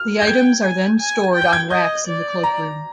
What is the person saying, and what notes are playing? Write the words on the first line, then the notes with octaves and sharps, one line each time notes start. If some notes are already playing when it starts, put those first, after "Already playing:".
The items are then stored on racks in the cloak room.
Already playing: F6
G6
G5 G#6
G#5
G#5
G5
G6
G#6
D#5 G6
D5
A#5